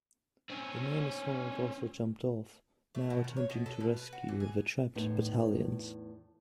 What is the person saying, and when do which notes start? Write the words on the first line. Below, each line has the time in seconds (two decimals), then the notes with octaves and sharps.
The main assault also jumped off, now attempting to rescue the trapped battalions.
0.50 C4 C#4
2.95 A3
3.10 B2
3.24 D#3
3.37 C#5
3.50 B2
3.66 A4
3.80 B2
3.96 B4
4.13 F#4
4.28 E3
4.40 G#4
4.95 E2 A2 B3 D#4